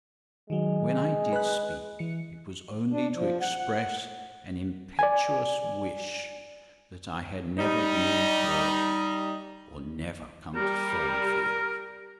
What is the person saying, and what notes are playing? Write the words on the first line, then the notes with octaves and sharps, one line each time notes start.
When I did speak, it was only to express an impetuous wish that I had never been born, or never come to Thornfield.
D#3 F#3 G#3
B4 F#6
E3 C#7
D4
F3
F#5
F#5
D5 G#5
G3 D#4
G3 A#4